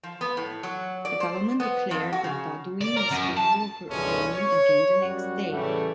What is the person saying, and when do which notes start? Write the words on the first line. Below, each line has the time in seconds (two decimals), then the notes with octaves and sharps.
The government declared that Baudouin was capable of reigning again the next day.
0.03 F3
0.21 B3
0.37 A2
0.63 F#3
1.05 D5
1.20 C5
1.60 B3
1.91 F2
2.13 F#4
2.24 C#3
2.81 D5
2.97 A#4
3.12 F#2
3.37 A5
3.88 C#2 G2 B2 G#3 A3 C#4
4.32 C#5
5.00 F#2 G3 F#4 F#5
5.51 A2 C#3 E3 G3 A3